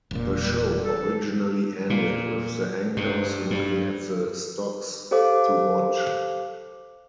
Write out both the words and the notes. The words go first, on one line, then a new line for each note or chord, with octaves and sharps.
The show originally ended with the anchors looking at the Stocks to Watch.
E1 A#2
G3
A4
A#2
G2
G2
G4 A4 C5 F5 D6